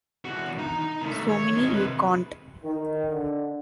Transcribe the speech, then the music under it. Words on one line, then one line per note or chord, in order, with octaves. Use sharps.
So many you can't.
E2 F#4
D#4 A#5
D#3 A3
C#5
D#3 G#3
C3 B4
D#3
D3